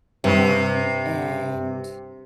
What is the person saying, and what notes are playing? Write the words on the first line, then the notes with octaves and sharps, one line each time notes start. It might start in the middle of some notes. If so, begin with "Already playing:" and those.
um, and
G2 C3